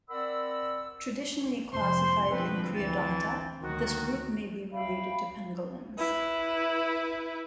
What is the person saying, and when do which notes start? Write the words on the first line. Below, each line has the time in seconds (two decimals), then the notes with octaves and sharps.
Traditionally classified in Creodonta, this group may be related to pangolins.
0.09 C4 A#4 D5 F#5 B5 E6
1.72 F2 C3 F3 C5 C6
2.29 B2 D3 F3 C4 B4
2.75 D2 E3 A6
3.62 D2 D#3 F#3 A#3 F#4
4.71 E5 F5 G5 B5
5.98 E4 B4